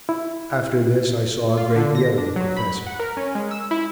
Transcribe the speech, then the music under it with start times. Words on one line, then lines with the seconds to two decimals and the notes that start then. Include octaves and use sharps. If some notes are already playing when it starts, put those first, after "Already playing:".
After this I saw a great deal of the professor.
0.09 E4
1.57 F4
1.76 D3
1.95 A#6
2.18 D4
2.36 F#3
2.57 B5
2.87 F#5
2.99 A#4
3.17 C#4
3.35 G#3
3.51 E6
3.71 E4